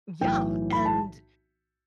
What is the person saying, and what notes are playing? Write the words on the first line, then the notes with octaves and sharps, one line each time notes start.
Yeah, and
B1 A2 E3 G5
B5
A5